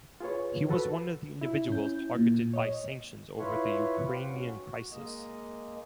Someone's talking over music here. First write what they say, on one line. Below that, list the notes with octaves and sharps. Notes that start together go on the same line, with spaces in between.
He was one of the individuals targeted by sanctions over the Ukrainian crisis.
F4 G#4 B4 C#5
F#4 A4 B4
E4
C#4 G6
A#2
C#5 D#5
E4 F4 B4 C#5
G4 B4 C5 F5
G#2 C#4 F#4
F#4
G#3 A#3 D#5